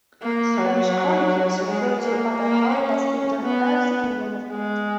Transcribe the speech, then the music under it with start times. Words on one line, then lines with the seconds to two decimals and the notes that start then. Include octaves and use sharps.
Spanish chroniclers refer to Atahaulpas' Kingdom as the Kingdom of Quito.
0.23 A#3
0.58 F#3
1.65 G#3
2.01 A#3
2.37 A#3
2.72 C#4
3.43 B3
4.50 G#3